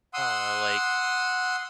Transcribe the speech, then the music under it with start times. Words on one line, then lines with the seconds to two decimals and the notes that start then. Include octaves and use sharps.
I don't know, like,
0.14 F#5 C6 D#6 E6